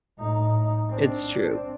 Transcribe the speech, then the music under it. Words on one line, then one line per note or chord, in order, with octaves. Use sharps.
It's true.
A2 D#4
C4 D4